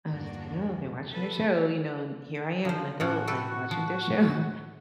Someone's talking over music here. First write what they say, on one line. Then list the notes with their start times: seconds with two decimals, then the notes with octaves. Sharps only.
was, just, like, "Oh, they're watching their show, you know, and here I am, an adult, like, watching their show,"
0.11 E2 G2 A#3 D4 F#4
1.12 A4 B4
2.65 D3 F3 C5
3.00 A2 F3 C#4 F#4
3.27 G4 A4 B4
3.71 F3